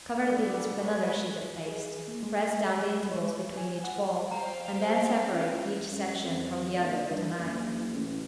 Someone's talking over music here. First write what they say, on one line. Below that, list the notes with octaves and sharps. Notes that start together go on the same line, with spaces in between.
Cover these with another sheet of paste, press down the intervals between each ball, and then separate each section from the other with a knife.
B2 D3 G3
F#3 A3 G#4 B4 C#5
G#4
A#3
G#3
B5
C#5
G#5
F#5
C5 F5 G5 A#5
C#4 F4
F#2
F2
A#1
G2
F#1
A1